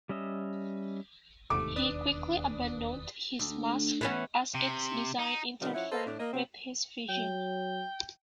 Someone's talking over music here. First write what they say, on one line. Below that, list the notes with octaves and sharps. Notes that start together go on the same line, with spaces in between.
He quickly abandoned his mask as its design interfered with his vision.
G3 C#4 D#5 E5
E1 D#2 G#2 C3 A3 D6
D4 B4 D5 D#6
D2
E3 B3 C#4
C3
D#4
C3 D#3 F3 G3
F3 C#4 E4 F#5
A4 B4 C5 D#5 F5
A2 D4
A#3 D#5
C3 F#3 B3 C4
F#3 G5